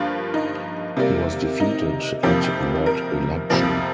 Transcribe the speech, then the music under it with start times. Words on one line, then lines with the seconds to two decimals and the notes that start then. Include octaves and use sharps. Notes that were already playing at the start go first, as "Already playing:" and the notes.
He was defeated at that election.
Already playing: G2 F3 A#3 F4
0.34 D#4
0.97 C3 G3 A#3
1.60 D#4
2.23 F2 C3 F3 A#3 G4
2.44 G4
2.86 A#4
3.50 F2 C3 F3 A#3 A#4